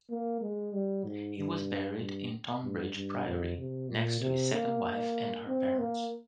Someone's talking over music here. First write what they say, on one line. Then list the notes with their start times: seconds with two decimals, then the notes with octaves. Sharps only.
He was buried at Tonbridge Priory, next to his second wife and her parents.
0.10 A#3
0.42 G#3
0.73 G3
1.05 G#2
1.36 G2
2.00 G2
2.63 G2
2.95 G2
3.26 F2
3.58 C3
3.89 A#2
4.21 C3
4.53 A#3
5.48 C4
5.79 A#3